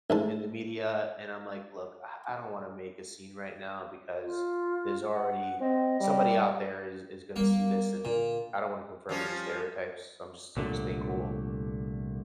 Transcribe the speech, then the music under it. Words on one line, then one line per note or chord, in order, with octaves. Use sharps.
in the media, and I'm like, "Look, I I don't wanna make a scene right now because there's already somebody out there is is gonna see this and I don't wanna confirm any stereotypes, so I'm just gonna stay cool."
A1 G#2 A5
F4
F#5
C4 D#5
G3
G3 A#3 B3
A#2 D3
F3 G3 C#4
C2 A#2 D3 A3